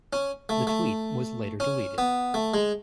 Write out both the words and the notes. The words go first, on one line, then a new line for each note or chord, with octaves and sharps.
The tweet was later deleted.
C#4
A3
A3
C#4
B3
A3
G#3